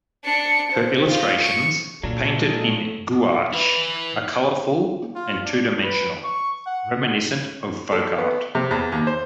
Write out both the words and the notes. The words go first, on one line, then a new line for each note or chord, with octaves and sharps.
Her illustrations, painted in gouache, are colorful and two-dimensional, reminiscent of folk art.
D4 C#7
C5
F4 G4
C#6 C#7
A#2 F#3 D4 F4 A4
G#3
E4 B4
F4
D4
B4
C#6
F#5
A4
B3
C3
E2
D#2
C5